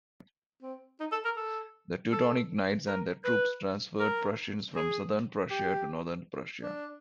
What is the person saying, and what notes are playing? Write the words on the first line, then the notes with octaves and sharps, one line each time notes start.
The Teutonic Knights and their troops transferred Prussians from southern Prussia to northern Prussia.
C4
D#4
A4
A#4
A4
A4
A#4
B4
A#4
G#4
G4
D4